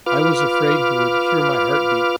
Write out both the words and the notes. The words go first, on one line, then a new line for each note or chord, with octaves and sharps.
I was afraid he would hear my heart beat.
F4 B4 D6 F6